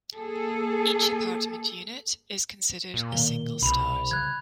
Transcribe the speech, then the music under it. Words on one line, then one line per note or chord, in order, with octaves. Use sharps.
Each apartment unit is considered a single start.
A#3 G#4 A4
A#2
B2 D#3 A#3 G7
C2 B2 B5 F7
C#3 F#6 G#6